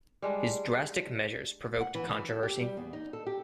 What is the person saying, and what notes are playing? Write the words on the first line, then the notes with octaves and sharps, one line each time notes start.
His drastic measures provoked controversy.
G3 G#3 D4
F#5
E3
E3
A4
G4
G3
E2
D#4
A4
G4